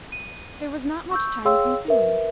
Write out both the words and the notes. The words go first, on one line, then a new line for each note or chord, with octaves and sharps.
There was not much time consumed.
D#7
C#6 E6 G6
G#4 C#5 F5 G5 C6 E6
A#4 B4 E5